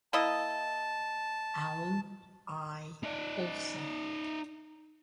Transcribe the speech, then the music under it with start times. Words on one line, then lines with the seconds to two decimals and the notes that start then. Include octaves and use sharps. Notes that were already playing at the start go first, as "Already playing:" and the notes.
Allen I. Olson.
0.13 A#3 E4 D#5 A5
3.03 D#4 D5